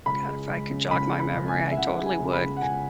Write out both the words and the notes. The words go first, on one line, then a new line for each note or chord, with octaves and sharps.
god, if I could jog my memory, I totally would.
C#2 B5
G#3
C#2
C#3
C#2 B5
G#3
B5
C#2
G#5
C#3
E5
C#2 F#5
G#3
G#5
C#2
B5
C#3
F#5
C#2 G#5